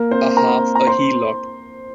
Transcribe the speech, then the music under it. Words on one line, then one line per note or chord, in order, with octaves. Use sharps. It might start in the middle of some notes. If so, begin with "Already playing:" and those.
A half a heelot!
Already playing: A#3 A#4
C4 C5
A#4 A#5
A#5
C5 C6